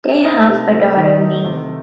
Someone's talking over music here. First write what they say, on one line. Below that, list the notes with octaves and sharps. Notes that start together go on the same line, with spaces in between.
They have a daughter, Mimi.
D#4 C5 E5
C3 G4 B4
A3 A4 C5
D#3 B4 D#5
D#4
C3